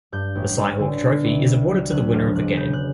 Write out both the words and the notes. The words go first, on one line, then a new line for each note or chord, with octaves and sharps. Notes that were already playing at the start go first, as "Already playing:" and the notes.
The Cy-Hawk Trophy is awarded to the winner of the game.
G2 G6
A1
A1
D3
B2
C2
C2
F#3
D2 F#6
E1 F6
E1 F#6
C#3 G6
F#6